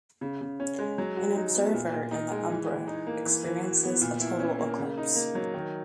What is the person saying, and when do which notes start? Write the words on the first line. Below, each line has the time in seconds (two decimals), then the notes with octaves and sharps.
An observer in the umbra experiences a total eclipse.
0.21 C#3
0.41 C#3
0.60 C#4
0.79 G#3
0.98 F#3
1.17 F#4
1.35 D#4
1.55 B3
1.74 A#2
1.92 A#2
2.11 D#4
2.31 G#3
2.49 E3
2.69 E3
2.88 D#4
3.07 A#3
3.26 E3
3.45 E3
3.63 F#4
3.83 B3
4.01 A#2
4.20 E4
4.40 C#4
4.59 A#3
4.78 C#3
4.98 D#4
5.15 A#3
5.35 F#3
5.54 D#3